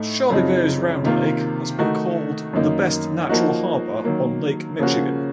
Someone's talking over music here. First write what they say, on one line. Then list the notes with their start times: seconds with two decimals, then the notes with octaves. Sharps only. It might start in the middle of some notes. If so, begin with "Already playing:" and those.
Charlevoix's Round Lake has been called the best natural harbor on Lake Michigan.
Already playing: A2 A3 D#4
0.30 F#2 C#3 F3 C4 D#4
1.04 C3 D#3 A#3 F4
1.79 D#3 A3 D#4 F#4
2.53 F#2 D#3 A#3 D#4
3.29 F3 A#3 D#4 F#4
4.04 D#3 F#3 A#3
4.79 C#3 F3 A#3 C#4 F#4